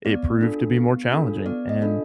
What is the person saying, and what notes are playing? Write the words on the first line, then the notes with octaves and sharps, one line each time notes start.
it proved to be more challenging, and
B3 D5
D4 F4 A4
B3
D4 F4 A4
B3 D5
D#5
D4 F4 A4